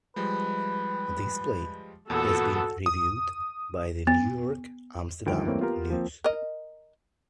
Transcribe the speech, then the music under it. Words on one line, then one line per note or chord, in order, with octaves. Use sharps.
This play has been reviewed by The New York Amsterdam News.
F3 G3 G#3 B4
E2 A#2 B3 F#4 A4
D#6
B3
D2 D#3 F3 G3 G5 D7
E3 G3 A3 A#3 C4 C#5
B3 F4 G4 A#4
F3 A#3 C4
A#4 D#5